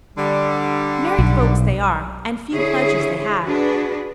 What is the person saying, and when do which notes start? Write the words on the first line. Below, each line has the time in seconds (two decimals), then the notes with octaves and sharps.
Married folks they are; and few pleasures they have.
0.16 D3 G3
1.19 B1
2.53 D3 E4 G#4 C#5
3.45 D4 F#4 G#4 B4